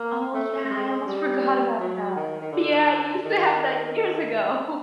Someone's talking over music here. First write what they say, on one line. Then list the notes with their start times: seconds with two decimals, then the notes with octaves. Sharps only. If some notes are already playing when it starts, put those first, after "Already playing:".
Oh, yeah, I almost forgot about that. Yeah, I used to have that years ago.
Already playing: A#3
0.33 A3
0.64 A3
0.70 G#3
1.06 G3
1.79 F#3
2.16 D#3
2.41 D#3
2.52 D3
3.25 D#3